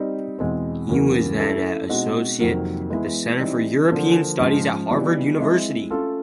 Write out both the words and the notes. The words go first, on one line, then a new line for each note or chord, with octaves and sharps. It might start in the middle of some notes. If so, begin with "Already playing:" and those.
He was then an associate at the Center for European Studies at Harvard University.
Already playing: G3 C4 D#4
E2 B2 G#3 C4
E2 C#3 F#3 A#3 C#4
A3 C#4 E4 A4
B2 G#3 C4 D#4 F#4
F2 C3 D#3 F#3 A#3
E3 G#3 B3 E4
E3 G3 C4 D#4
D3 F3 A#3
G#2 F3 G#3 C#4
E3 G3 B3 D#4 F#4
G#3 C4 E4
A3 C#4 F4 A4